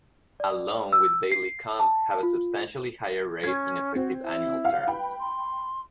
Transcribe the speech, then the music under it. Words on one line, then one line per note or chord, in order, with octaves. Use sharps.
A loan with daily comp have a substantially higher rate in effective annual terms.
D5
E6
C7
A5
F4
C#4 G#6
C4 F#4
E4
F5 F#5
B4 G5 B5
C6